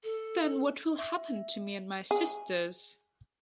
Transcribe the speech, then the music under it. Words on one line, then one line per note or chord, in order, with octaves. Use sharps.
Then what will happen to me and my sisters?
A4
E5
G#4